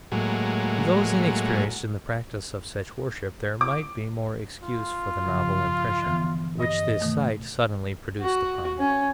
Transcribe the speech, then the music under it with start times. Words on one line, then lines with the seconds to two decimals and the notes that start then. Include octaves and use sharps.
To those inexperienced in the practice of such worship there might be more excuse for the novel impression which this sight suddenly produced upon me.
0.12 A2 F#3 G#3 A#3
3.61 D6
4.63 F4
5.25 G2 C#3 F3
6.02 D3 E3 B3
6.60 G2 D#5 A#6
7.01 B2 D#3 A3
8.21 F#4
8.79 C#4